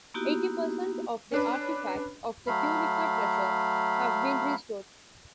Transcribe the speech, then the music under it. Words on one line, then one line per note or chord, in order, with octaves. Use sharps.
Eighty percent of the artifacts of the Tunica Treasure have been restored.
A#3 B3 D#4 E4 F#4 G4
C#4 D4 B4
F#3 A3 F5 B5